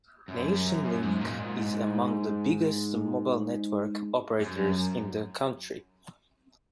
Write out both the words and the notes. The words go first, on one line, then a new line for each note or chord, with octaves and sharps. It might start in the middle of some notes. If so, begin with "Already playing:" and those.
Nationlink is among the biggest mobile network operators in the country.
F#2
F#2
F#2
G#2
A#2
G#2
F#2